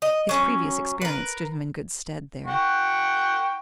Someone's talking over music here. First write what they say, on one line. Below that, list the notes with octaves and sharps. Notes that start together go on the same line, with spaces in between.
His previous experience stood him in good stead there.
D#5
F#3 C#4
A#4 B4
F#5 G5 C#6